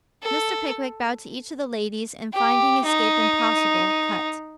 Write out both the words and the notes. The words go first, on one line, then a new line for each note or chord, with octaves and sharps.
Mr. Pickwick bowed to each of the ladies, and, finding escape impossible, cut.
A4
G4
D#4